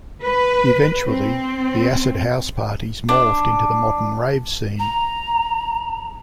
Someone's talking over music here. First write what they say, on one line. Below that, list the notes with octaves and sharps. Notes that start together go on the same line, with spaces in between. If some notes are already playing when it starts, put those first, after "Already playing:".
Eventually the acid house parties morphed into the modern rave scene.
B4
C4
D4
A#5